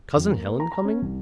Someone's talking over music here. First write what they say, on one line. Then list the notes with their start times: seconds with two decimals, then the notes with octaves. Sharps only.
Cousin Helen coming!
0.16 F2
0.33 A#3
0.46 A#3
0.60 A#5
0.72 A#5
0.85 C#4
1.02 C2